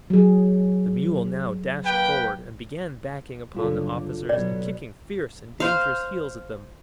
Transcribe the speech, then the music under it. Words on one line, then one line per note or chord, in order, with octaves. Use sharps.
The mule now dashed forward and began backing upon the officers and kicking fierce and dangerous heels at them.
F#3 G#4
A#3 B4 G5
F#1 D3 G3 F4 A4
B2 F#3 D5
C5 F5